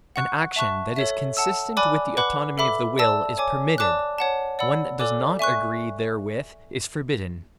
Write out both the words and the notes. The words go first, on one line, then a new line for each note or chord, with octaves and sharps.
An action that is consistent with the autonomy of the will is permitted; one that does not agree therewith is forbidden.
F#5 C#6 F#6
E5 A5 C#6 F#6
A4 C#5 E5
F#5 A5 E6
D5 G#5 B5 D6 F#6
B4 F#5 B5 D6 F#6
A4 E5 B5 D6
D5 A5 E6
C#5 G#5 D6
D5 A5 D6 F#6
C#5 F#5 A5
D5 F#5 B5 E6
A4 D5 G#5 D6 F#6
E5 G#5 C#6 F#6